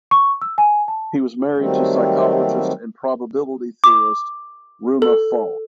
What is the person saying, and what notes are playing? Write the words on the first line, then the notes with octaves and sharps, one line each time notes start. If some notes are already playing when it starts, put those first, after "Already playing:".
He was married to psychologist and probability theorist Ruma Falk.
C#6
E6
G#5
A5
D#3 F#3 G3 A3 C4
D6
A4